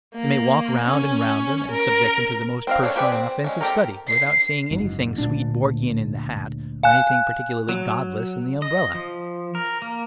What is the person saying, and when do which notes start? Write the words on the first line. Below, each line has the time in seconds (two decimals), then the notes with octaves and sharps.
You may walk round and round them and subject them to the most personal and offensive study without seeing anything Swedenborgian in the hat or anything particularly godless in the umbrella.
0.15 A#3
0.84 C#4
1.72 A#4
2.67 C4 A#4 F5
2.82 C#4 D4 A4 C5 C#5
2.96 C4 G4 G#4 B4 D5
3.12 C4
3.44 G#3 A#3 C#4
3.61 C4 G4 A4 A#4
4.09 C7
4.71 F#1 G#2
5.18 D2 A#2 D4
6.83 F5 G#5 F#6
7.69 F#3
8.62 D#5
8.95 F3
9.55 A#4
9.82 A#3